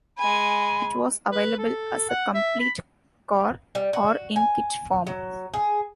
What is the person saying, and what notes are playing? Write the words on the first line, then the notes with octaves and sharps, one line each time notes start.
It was available as a complete car or in kit form.
G#3 G#5 B5
B4
A4
F#5
E5
B5
G3
F#4
G#5
F#3
G#4